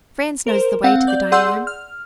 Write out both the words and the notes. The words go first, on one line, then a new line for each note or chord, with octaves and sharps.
Franz knows the way to the dining-room.
A#4 C5
C4 F5 F#5
D5 G6
G#4 D5 F#5 C6 E6 G6
F6